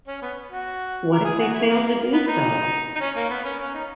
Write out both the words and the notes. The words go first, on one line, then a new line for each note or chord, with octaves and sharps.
What if they fail to do so?
C#4
B3
F#4
A#4
G#4
F#4
E4
A#3
B3
D#4
D#4
C#4
A#3
B3
C#4
C#4
D#4